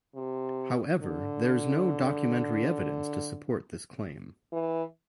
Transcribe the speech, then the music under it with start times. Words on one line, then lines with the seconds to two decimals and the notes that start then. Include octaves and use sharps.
However, there is no documentary evidence to support this claim.
0.15 C3
1.02 D3
4.52 E3